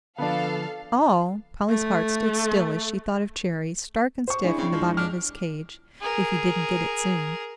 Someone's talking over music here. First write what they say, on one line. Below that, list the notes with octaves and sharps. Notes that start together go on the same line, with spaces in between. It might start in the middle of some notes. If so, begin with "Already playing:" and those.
"All!" Polly's heart stood still as she thought of Cherry, stark and stiff in the bottom of his cage, if he didn't get it soon.
D3 F3 B3 D4 A4 F5
A3
C5 C#6
D4 E4 G#4
C#3 C4
F2 F3 G#3
D4 F6
G#4 A#4